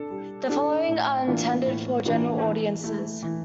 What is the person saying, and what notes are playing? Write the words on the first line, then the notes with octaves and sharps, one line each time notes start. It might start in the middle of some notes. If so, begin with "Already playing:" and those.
The following are intended for general audiences.
Already playing: D4 A4
G3
D4 A4
A2
E3 A#3 D4 F4
A2
E3 A#3 D4 F4
E3
A3 E4
E3